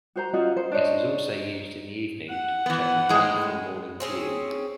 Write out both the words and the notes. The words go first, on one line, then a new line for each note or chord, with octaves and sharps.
It is also used in the evening to protect the hay from morning dew.
F#4 C5 A#5
C#4 F4 F#4 D#5
C5
D4 C5 C#5 D#5
F#5
E3 B3
A2 G#3
C4 C#4 G#4